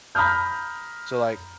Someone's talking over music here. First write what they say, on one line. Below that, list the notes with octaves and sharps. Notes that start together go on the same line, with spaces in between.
So, like,
A#5 B5 D#6 F6 G6